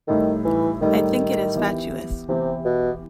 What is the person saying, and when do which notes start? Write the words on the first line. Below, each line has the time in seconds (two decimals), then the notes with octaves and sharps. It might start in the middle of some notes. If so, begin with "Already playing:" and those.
I think it is fatuous.
0.08 A2 D#3 G3 D#4 A4
0.45 E3
0.81 A2 D#3 G3 D#4 A4
1.55 E3 B3 E4 G4
2.28 C3 E3 B3 E4 G4
2.65 B2